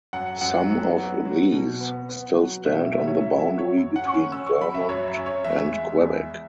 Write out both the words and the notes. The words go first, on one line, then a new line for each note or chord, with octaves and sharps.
Some of these still stand on the boundary between Vermont and Quebec.
F#2 F#5
F#2 F#5
F#3
B3
F#3
B2
B3
B3
F#3
B2 E5
E5
F#3 E5
C#5
F#3 E5
E5
F#3
C#5
F#2
F#5
C#4
C#6
C#4 E6
C#6
F#3 B5
E5
F#2 C#5
E5
C#4
C#5
E2 E5
G#3
E2